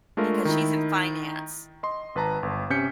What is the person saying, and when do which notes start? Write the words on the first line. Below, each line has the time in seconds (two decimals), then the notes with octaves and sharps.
because she's in finance
0.17 G#3 A3 D4 F4 A#4
0.45 D#3 D#4 E4
1.83 D#5 C6
2.15 G#1 B4 A5 A#5
2.43 G1
2.70 C3 C#4 G6 B6 C#7